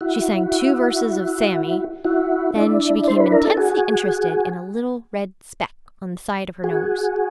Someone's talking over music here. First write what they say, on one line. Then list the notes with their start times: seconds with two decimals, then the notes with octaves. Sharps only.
She sang two verses of "Sammy." Then she became intensely interested in a little red speck on the side of her nose.
0.01 E4 F#4
2.05 E4 F#4
2.56 D4 E4
3.08 C5
3.20 B4
3.32 A#4
3.45 A4
3.57 F#4 G#4
6.64 F#4 G#4